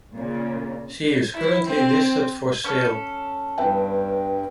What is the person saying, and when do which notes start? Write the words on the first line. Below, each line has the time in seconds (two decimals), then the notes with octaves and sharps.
She is currently listed for sale.
0.14 A#2 C#3
1.35 E4
1.69 C4
2.64 C#4 A4
3.58 G2 B3 E5 G5